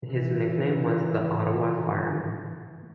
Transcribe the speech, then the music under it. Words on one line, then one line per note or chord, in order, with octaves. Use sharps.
His nickname was "The Ottawa Fireman".
C#3 E3